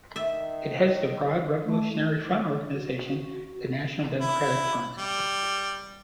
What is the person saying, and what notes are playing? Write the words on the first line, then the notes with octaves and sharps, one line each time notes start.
It heads the broad revolutionary front organization, the National Democratic Front.
D#3 E5
A3
F#4
E4
G3